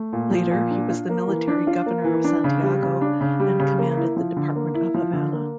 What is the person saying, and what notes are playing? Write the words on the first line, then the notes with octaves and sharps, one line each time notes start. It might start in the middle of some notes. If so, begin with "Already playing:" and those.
Later he was the military governor of Santiago and commanded the Department of Havana.
Already playing: A3
A#2
F3
A#2
D4
F4
A#3
E3
D4
F4
A#3
E3
D4
C#3
G3
C#3
D4
C#3
G3
C#3
A#3
E4
F3
D3
A#3
E4
F3
D3
A#3